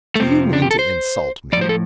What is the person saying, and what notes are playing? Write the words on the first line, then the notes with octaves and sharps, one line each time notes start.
"Do you mean to insult me?"
A3
F2 C3 F3 C4
D4
G4
A4
C5
A2 F3 C5 D5
A4